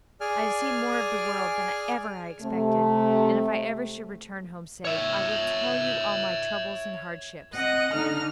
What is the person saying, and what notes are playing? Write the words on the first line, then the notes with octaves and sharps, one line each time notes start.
I have seen more of the world than ever I expected, and if I ever should return home safe, I will tell you all my troubles and hardships.
G#4 D5 G#5 F6
C3 A3
C#5 E5
C4 D#5 F#5
D3 D#4 F6